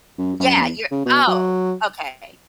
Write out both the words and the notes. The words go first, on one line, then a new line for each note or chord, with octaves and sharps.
yeah you're oh, okay.
F#2
F#2
F#2
E2
C#3
B2
F#3